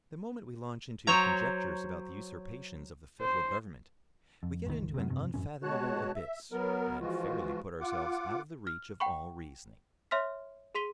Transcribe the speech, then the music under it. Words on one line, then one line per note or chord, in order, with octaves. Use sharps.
The moment we launch into conjectures about the usurpations of the federal government, we get into an unfathomable abyss, and fairly put ourselves out of the reach of all reasoning.
F#3 C5 C#5 A#5
C5
F2
G1 C#2 D#3
F#2 C3
F1 G2 C3
A1 F#2 A2 C#4
B2 G#3 F#4 C#5 A5 F#6
E5
F#3 B3 A#4
E3 F3 G#3 F4 F#4
F4 F#5 D6
F6
F#5 G5 B5 C#6
C#5 E5 C6 F6 B6
G#4 C6 B6 D#7 G7